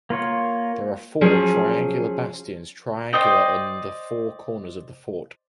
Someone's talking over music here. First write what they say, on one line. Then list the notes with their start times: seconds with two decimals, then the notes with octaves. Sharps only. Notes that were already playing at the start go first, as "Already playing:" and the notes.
There are four triangular bastions triangular on the four corners of the fort.
0.10 A#3 F4 C#5
1.21 F3 F#3 C#4 G#4
3.13 C5 D5 D#5 G5